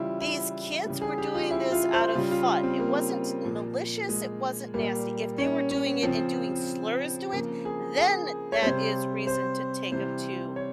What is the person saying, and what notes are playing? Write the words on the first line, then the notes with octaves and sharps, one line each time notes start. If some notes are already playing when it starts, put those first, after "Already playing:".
these kids were doing this out of fun. It wasn't malicious, it wasn't nasty." If they were doing it and doing slurs to it, then that is reason to take 'em to,
Already playing: C#3 E3 G3 E4 F4
E4
C#3 E3 G3
G#4
G4
F4
E4
F4
C5
C#3 G3 F4
F4
C4
A#3
A#2 F3
G#3
A#2 G3 A#3
C#4
C#4
C#3 F3 C4
C#3 F3 A#3
G#4
G#4
C#5
C3 G3 C5
C5
C3 E3 G3 C5
C#5